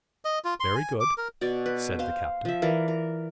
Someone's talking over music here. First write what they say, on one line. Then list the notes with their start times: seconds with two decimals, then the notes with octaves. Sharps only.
"Very good," said the captain.
0.25 D#5
0.44 F4
0.60 C6
0.75 G#5
1.00 D6
1.18 A#4
1.41 B2 D5
1.66 B4
1.99 C5 F5 C6
2.45 F3 E5
2.62 E3 A#4 D5
2.88 A#4